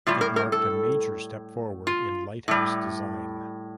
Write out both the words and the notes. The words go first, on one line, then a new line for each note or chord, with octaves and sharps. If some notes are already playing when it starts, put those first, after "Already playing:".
It marked a major step forward in lighthouse design.
A2 G3 F4
A#4
A#4
A4
F4
A2 G3